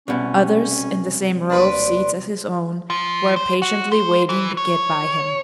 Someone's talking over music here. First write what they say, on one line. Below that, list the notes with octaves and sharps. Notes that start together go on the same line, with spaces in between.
Others, in the same row of seats as his own, were impatiently waiting to get by him.
C2 B2 C#4
D#2 D4 B4 C6
F3
C5
F#4
C5
E3
C#5